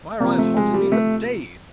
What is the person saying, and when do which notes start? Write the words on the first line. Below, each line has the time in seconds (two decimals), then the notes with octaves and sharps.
Why her eyes haunted me for days.
0.20 C3 F3 A#3
0.39 A3
0.57 G#3
0.74 G3
0.92 A3